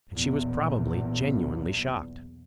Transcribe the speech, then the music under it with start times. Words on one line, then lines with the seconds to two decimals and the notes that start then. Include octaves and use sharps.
And she was probably genuinely shocked.
0.12 B1 E2 A#2